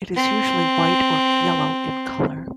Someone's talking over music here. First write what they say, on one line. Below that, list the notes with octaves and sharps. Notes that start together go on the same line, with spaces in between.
It is usually white or yellow in colour.
C4